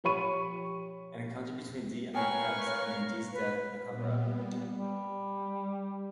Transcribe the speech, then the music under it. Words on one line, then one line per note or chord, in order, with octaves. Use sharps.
An encounter between Dee and the McCabes ends in Dee's death and a cover-up.
F3 G4 C#5 B5 C#6 D#7
A#4 B4 C#5 F5 G5 G#5 C#6 F6
B4
A#2 G3 B3
G3